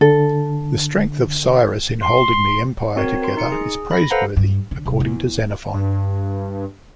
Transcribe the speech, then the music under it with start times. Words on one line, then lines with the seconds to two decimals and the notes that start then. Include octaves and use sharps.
The strength of Cyrus in holding the empire together is praiseworthy according to Xenophon.
0.01 D3 A4
2.02 C6
2.96 C4 F#4 A#4 C#5
3.22 A#4 C6
3.37 D#4 C#7
3.52 G#4
3.91 B5 A#6
4.10 A4 B4 C5 F5 F#5 A#5
4.37 G2
4.71 D3
4.85 C2
5.00 E2
5.74 G2